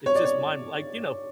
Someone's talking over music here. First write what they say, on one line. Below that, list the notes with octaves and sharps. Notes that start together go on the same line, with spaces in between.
It's just mind like, you know?
C#5
D5
C#5